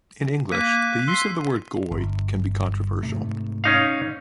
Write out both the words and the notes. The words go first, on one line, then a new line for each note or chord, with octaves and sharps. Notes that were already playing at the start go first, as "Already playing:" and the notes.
In English, the use of the word "goy" can be controversial.
A#3 F#6 B6 D#7
C6 E6 B6 C7
G1
G#2 C3 A3
C#4 D#4 F5